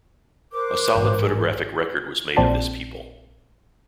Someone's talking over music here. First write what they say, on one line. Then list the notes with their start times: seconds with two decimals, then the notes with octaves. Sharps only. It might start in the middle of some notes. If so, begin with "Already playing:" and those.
A solid photographic record was made of this people.
0.53 A#4 C5 D6 F#6
0.95 A1 G#2
1.24 G#4
2.36 A#1 A#2 C4 D5 A5 C6